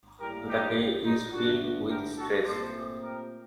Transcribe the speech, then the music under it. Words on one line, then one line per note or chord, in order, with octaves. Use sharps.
The day is filled with stress.
A2 G3 A#3 G4 A#4
D#4 G4
D#4
G2 D3 A3 D4 F#4
G4 A#4
F#4 A4
A#2 A3 C4 A4 C5
G4 A#4